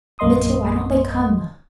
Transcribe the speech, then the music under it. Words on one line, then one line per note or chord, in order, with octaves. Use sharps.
Mitya, why don't they come?
A#1 F#2 A#3 D#5 C6 D#6